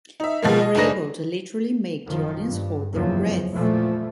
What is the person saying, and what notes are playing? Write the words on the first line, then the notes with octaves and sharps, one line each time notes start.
We were able to literally make the audience hold their breath.
D#4 E5
B2 F3 G#3 A#3
D#5
F#1 D4 D#4 G#4 B4 A#6
F#1 D#3 F3
G2
F#1 E2 F3 F#3
A#2 E3 F3 A3